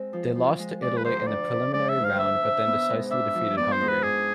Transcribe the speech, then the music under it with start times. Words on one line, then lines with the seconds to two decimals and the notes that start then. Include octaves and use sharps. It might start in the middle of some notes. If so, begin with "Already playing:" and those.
They lost to Italy in the preliminary round but then decisively defeated Hungary.
Already playing: G#3 C4
0.13 F3
0.35 F3
0.59 G#3
0.82 G#3 D5
0.97 B4
1.05 D2 C5
1.27 D4 D5
1.51 C3
1.73 G#3 D5
1.89 E5
1.96 D2
2.04 F5
2.19 D4 E5
2.42 C3
2.65 B3
2.89 G#2
3.11 D4 E5
3.34 F3
3.57 B3 D5
3.72 C5
3.81 G#2
3.88 B4
4.03 D4 G#4